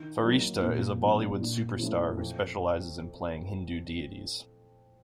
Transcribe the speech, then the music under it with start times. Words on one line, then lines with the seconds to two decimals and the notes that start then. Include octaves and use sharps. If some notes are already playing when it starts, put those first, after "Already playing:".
Farishta is a Bollywood superstar who specialises in playing Hindu deities.
Already playing: D#3
0.22 F#3 A#3 D#4
0.61 A#2
1.01 F#3 B3 D4
1.40 A#2
1.78 F3 A3 C#4 E4
2.17 F2